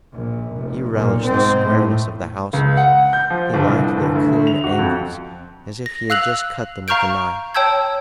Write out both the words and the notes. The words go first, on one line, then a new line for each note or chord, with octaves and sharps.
He relished the squareness of the houses; he liked their clean angles as if he had just cut them with a knife.
A#1
F1
B1 A#2
G#2 C4
A2
C#2
F#5
G6
F3
G1
C2
G1
D2
F7
F#4
F2
A#6
F5 E6 F#6 F7 F#7
F5 A#5 C#6 F6 G6 D7
C#5 G5 A5 E6 G6 G#6